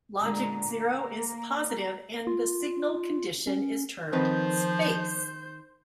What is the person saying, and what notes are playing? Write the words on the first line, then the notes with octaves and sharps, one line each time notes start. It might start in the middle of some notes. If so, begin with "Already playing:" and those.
Logic zero is positive and the signal condition is termed "space".
A#2 D3 G#3 A#5
A#3
F4
C#4
D#3 F3 C4 B4 C5 G6